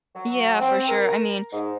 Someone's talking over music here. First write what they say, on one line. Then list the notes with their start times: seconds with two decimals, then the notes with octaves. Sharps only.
Yeah, for sure, I mean,
0.16 F#3
0.60 C4
0.89 A#4
1.53 G#2